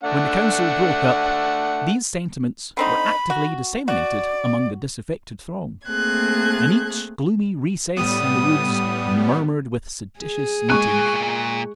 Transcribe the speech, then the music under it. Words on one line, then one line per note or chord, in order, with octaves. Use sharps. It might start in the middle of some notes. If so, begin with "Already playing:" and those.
When the council broke up, these sentiments were actively disseminated among the disaffected throng; and each gloomy recess in the woods murmured with seditious meetings.
A3 D4 F#5
D3 C4 D#4 B5
F#4
F#4 D5
A3 A#3 C4 G#4 F#6 G#6
A2 G3 B3 D#6
G#4
A#2 G#3 G#5 C#6 F#6